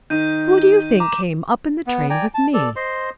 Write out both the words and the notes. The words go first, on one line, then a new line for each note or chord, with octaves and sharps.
Who do you think came up in the train with me?'
D#3 D#4 G6 D#7
A#5 D6
B3
D5 G5 G#5 A#5
A5
A4 D5
C5 D#5 C6